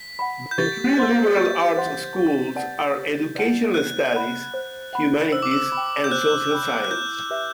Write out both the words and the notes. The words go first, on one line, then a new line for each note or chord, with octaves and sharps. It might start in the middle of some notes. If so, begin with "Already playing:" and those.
The three liberal arts schools are Educational Studies, Humanities, and Social Sciences.
Already playing: B6
F#5 B5
G6
G4 A6
C5 F#5 C6
G4 G6
C5 F#5 C6
G4
B4 D5 F#5 A5
G4
B4 D5 F#5 A5
C5 F#6
F#5 B5
C5
F#5 B5
C5 E6
D6
E6
G5 B5
G6
C5 F#6
G5 B5
F#6
E4 G6
G4 B4 E5